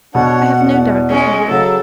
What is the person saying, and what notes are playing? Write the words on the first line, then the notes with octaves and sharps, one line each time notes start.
I have no doubt that he will.
B2 D4 C#5 F#5
E2
G#3 C#4
C#3 F#3 A4